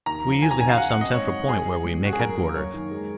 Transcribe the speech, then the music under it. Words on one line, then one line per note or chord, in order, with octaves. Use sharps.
We usually have some central point where we make headquarters.
D#2 A#5
F3
D#2 G#5
A#5
C#3 G#5
F5
F#4 F#5
F#5
C4
D#5
G#2 C#5
F#3
C4 G#4
F#3
C#2
C#3 F#4
G#4
F#2 A#4
A#3
F#2 C#5
D#3
G#3